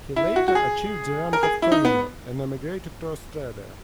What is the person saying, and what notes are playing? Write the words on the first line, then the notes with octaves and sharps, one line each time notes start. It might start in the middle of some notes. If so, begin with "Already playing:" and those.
He later achieved the rank of colonel and emigrated to Australia.
E4
F#4
F#4
G#4
A#4
G#4
E4
D#4
B3